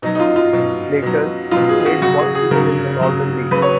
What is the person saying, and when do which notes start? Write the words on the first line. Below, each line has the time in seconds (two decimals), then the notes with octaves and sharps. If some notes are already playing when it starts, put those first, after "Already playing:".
Later he played one season in the Northern League.
0.02 B2 F#3 D#4
0.15 D#4
0.20 F4
0.36 F4
0.53 B2 F#3
1.02 B2 F#3
1.51 B2 F#3 F4
1.69 G#4
1.80 G#4
1.86 F#4
2.02 C#3 F#3 F#4
2.19 G#4
2.35 G#4
2.51 C#3 A#4
2.56 F#3
3.01 C#3 F#3
3.51 C#3 F#3 B4
3.62 C#5